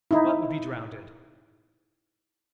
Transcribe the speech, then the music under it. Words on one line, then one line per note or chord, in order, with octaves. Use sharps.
"What would be drownded?"
D#4 E4